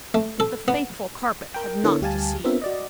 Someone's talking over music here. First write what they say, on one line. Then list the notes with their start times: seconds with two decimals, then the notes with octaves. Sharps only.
But the faithful carpet had not deceived them.
0.14 A3
0.40 A4
0.68 B3
1.54 A#4 G5
1.84 D3 B3 E4 A4 A#4 C#5
2.01 D2 G3 G4 F5 G#5 A5
2.44 B3 C4 D4 F4 A#4 E5
2.62 F#4 D5 D#5